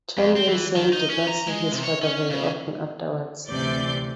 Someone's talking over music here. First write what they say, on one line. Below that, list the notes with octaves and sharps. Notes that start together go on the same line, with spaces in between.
Tomlinson did not see his father very often afterwards.
F2
C4
E3
D#3
D#4
C#4
A#5
G#3
C3
C#5
C#4
C#3
D2 C3 E3 D5 G6